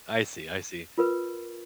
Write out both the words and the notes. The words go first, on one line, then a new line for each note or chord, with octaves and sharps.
I see, I see.
F4 A#4 B4